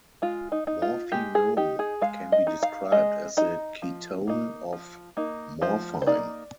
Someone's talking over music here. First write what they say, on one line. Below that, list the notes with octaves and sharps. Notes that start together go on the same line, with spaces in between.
Morphinone can be described as the ketone of morphine.
G#3 F4
D#4
D#4
F4
G#3 G4
G#4
D#4 G4
G#4
G#3 F5
D#5
D#4
F5
G#3 D#5
D#4 D#5
F3
A#3 D#4
F3
A#3 D#4
F3 C5
C5
A#3 D#4 D5